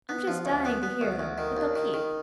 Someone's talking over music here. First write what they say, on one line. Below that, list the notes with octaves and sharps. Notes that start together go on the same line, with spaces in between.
I'm just dying to hear them, but they'll keep.
B3
F3
D2
B3
B3
D2
D2
D#3
D#2
D#3
D#3